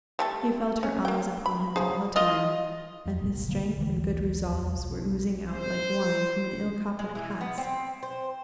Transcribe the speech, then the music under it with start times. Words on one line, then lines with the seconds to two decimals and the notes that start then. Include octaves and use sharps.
He felt her eyes upon him all the time, and his strength and good resolves were oozing out like wine from an ill-coppered cask.
0.19 G3 A3 A4
0.83 C#4
1.05 A#3 G5
1.46 B5
1.76 F3 G#4
2.16 F4 D#5
3.06 F2
3.20 F#1 C2 A#2 G3
3.48 D3 F#3 G3 A#3
3.76 D#1 A#1 D3 E3
4.52 E2
4.77 B1
5.49 C5
6.99 G#3
7.15 E3
7.41 B3
7.58 C4
8.03 C5